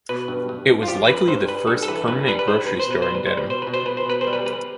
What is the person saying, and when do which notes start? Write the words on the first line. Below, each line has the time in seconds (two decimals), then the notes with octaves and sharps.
It was likely the first permanent grocery store in Dedham.
0.09 B2 B4
0.28 G2
0.49 G2
0.69 F3
0.83 F4
0.88 F3 G4
1.08 G2 B4
1.28 G2 C5
1.47 G3 B4
1.67 G2 A4
1.83 A4
1.88 E3 B4
2.08 G2 B4
2.27 G3 B4
2.39 B4
2.47 G2 C5
2.67 B2 B4
2.80 C5
2.87 B2 B4
3.02 G3 C5
3.15 B4
3.26 G3 C5
3.38 B4
3.46 B2 C5
3.62 B4
3.67 B2
3.74 C5
3.86 B2 B4
3.97 C5
4.06 B2 B4
4.21 C5
4.27 G3
4.33 B4
4.46 G3 B4